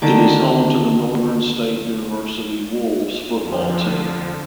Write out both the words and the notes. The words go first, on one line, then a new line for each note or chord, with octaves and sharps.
It is home to the Northern State University Wolves football team.
D3 D#3 D6
F2 D3 F3